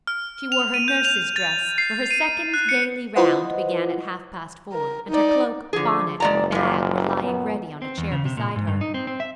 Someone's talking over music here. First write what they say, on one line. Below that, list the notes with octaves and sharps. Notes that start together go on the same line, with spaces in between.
She wore her nurse's dress; for her second daily round began at half-past four, and her cloak, bonnet, and bag were lying ready on a chair beside her.
F6
F7
D#7
G6
F7
A6
C7
D#7
F#6
C#7
E4 F4 B4 C5 D#5 F#5
A#4
D#4 D5
D3 F3 G#4
F#1 G#3 D5 A#5
F#2 A#2
B3
C4
E2
C#3
C3
A#2
G#2
G2
D#4
C4
C4
E5